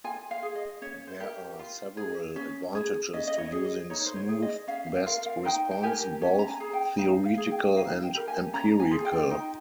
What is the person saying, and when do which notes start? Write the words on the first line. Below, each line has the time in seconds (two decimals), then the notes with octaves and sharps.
There are several advantages to using smoothed best response, both theoretical and empirical.
0.04 F4 G#5
0.31 F5
0.43 G#4
0.55 D#5
0.82 C#4 C#5
1.07 C5
1.20 G4 A#4
1.59 F4
1.97 G#4
2.36 C#4
2.75 G#4
3.13 C#4 D#5
3.27 D#5
3.38 C#5
3.52 G#4
3.65 D#5
3.90 D#4 C#5
4.06 C5
4.16 C#5
4.29 G#4
4.42 D#5
4.67 C#4 F5
4.86 F5
5.06 F4 A#4 F5
5.26 F5
5.45 D#4 G5
5.71 G5
5.83 G4 A#4 G#5
6.22 C#4
6.39 A#5
6.48 G#5
6.60 G#4
6.73 G5
6.98 D#4 F5
7.25 F5
7.38 G#4
7.51 G5
7.76 D#4 F5
8.02 G5
8.15 G4 A#4
8.28 G#5
8.53 C#4 A#5
8.80 G#5
8.91 F4 G#4
9.05 G5
9.30 D#4 G5